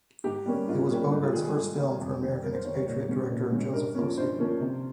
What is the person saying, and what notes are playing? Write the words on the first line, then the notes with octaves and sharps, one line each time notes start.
It was Bogarde's first film for American expatriate director Joseph Losey.
G#2 G4
G3 A#3 C#4
G#2 F4
G3 A#3 C#4
G#2 D#4
F4
D#3 G3 G#4
G#4
G#2
D#3 G3
F2
D#3 G3
F2 A#4
C5
D#3 G3 C#5
C#5
A#2 C#5
G#3 C#4
A#2
G#3 C#4
G2 A#4
F3 A#3 C#4
G2 C5
F3 A#3 C#4
C3